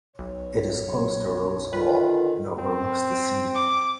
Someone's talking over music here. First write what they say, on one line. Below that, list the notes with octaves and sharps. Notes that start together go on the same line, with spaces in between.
It is close to Rose Hall and overlooks the sea.
B1 C#5
D3 D#3 F4 B4
C4
D6